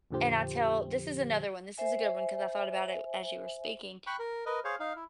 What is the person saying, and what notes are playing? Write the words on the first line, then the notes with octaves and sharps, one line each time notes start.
and I tell this is another one, this is a good one 'cause I thought about it as you were speaking,
F2 A#2 D3 F3 G4 C5
C5 E5 G#5
G5 B5 C#6 F#6
A#4
A#4 B4 D#5
G#4 C5 C#5 F5
D#4 F5
E4